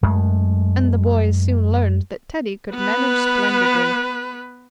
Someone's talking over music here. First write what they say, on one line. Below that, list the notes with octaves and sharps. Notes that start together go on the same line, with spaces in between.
And the boys soon learned that Teddy could manage splendidly.
F#2 G#3 A3
B3 B4